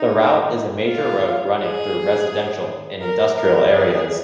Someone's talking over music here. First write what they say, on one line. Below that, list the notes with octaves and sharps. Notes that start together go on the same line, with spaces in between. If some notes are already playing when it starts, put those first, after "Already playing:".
The route is a major road running through residential and industrial areas.
Already playing: D#4
F4
G#4
A#4
A#4
G#4